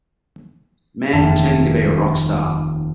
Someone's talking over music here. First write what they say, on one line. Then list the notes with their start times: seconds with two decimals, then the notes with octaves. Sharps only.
Man pretending to be a rock star.
1.13 F1 D#2 A#3 E5 A5 D7